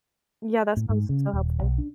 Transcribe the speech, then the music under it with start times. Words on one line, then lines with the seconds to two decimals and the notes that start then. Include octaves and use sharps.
Yeah, that sounds so helpful.
0.77 A2
0.89 G#2
1.09 C#3
1.33 D#1
1.62 B1
1.78 D4